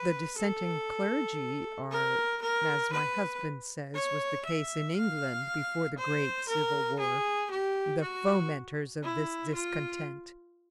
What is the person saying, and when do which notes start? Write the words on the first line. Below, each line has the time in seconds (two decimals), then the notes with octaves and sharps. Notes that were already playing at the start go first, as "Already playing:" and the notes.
The dissenting clergy are, as my husband says was the case in England before the great civil war, the fomenters of this discontent.
Already playing: B4
0.38 A4
1.91 A#4
2.42 A#4
2.93 B4
3.95 C#5
4.45 E5
4.97 F5
5.98 C5
6.49 A#4
7.00 G#4
7.51 G4
8.02 F#4
9.03 E4
9.54 F4